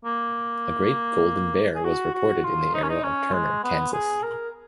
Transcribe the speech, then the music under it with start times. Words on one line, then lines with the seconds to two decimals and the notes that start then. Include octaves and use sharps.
A great "Golden Bear" was reported in the area of Turner, Kansas.
0.05 A#3
1.75 G#4
1.84 F#4
2.14 F#4
2.44 F4
2.74 D#4
2.83 C#4
2.90 D#4
3.03 C#4
3.33 G#3
3.64 B3
3.93 G#4
4.23 A#4